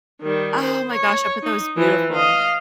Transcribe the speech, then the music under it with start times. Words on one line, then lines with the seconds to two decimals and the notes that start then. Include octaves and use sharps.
Oh my gosh, I bet that was beautiful.
0.22 D#3 G3
0.62 C5
0.92 C#5
1.43 D#4
1.77 E3 F3
2.12 D#5 F5